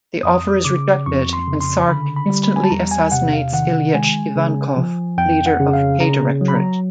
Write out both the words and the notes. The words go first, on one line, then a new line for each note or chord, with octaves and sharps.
The offer is rejected, and Sark instantly assassinates Ilyich Ivankov, leader of K-Directorate.
F2 D#6
C#3 D6
F2 C#6
C6
C#3
C6
D3 B5
B5
G3
B5
G#5
A5
E2 A#5
G#5
C3 F#5
F5
D#3 F#5
G#3 G#5
C#3
F3
F2 G5
F#5
C#3
F5
C#3 A#5
F#3
B5
A#5